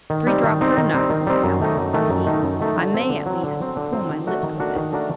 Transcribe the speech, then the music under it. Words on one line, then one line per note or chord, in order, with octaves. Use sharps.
"Three drops are enough," at last thought he; "I may, at least, cool my lips with it."
D#3
G3 C4 D#4
D#3
G3 C4 D#4
D#3
G3 C4 D#4
D#3
G3 C4 D#4
F#2
D#3 A3 D#4
F#2
D#3 A3 D#4
F#2
D#3 A3 D#4
F#2
D#3 A3 D#4
D3
F#3 C4
D3
F#3 C4
D3
F#3 C4
D3
F#3 C4
D#3
A3 D4 F#4 A#4
D#3
A3 D4 F#4 A#4
D#3
A3 D4 F#4 A#4